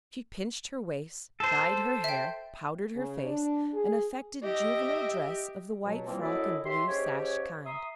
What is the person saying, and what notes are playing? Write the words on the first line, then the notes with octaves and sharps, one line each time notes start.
She pinched her waist, dyed her hair, powdered her face, and affected juvenile dress of the white frock and blue sash kind.
A4 C5
E5 G5
C#3
D4
G#4
G4 D#5 E5
C#2 B2 F#3
E3 F3 G3 A#3 C4 F4
F#2 F#3 E4 A4 D5 D#5
D#2 G4 E5 C6
G#2 C#3 G4 C#5
E5 A#5 C6 D#6